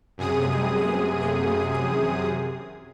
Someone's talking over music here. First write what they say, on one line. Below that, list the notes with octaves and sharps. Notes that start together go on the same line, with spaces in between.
The valet then left the room.
F#2 C3 G#4 D#6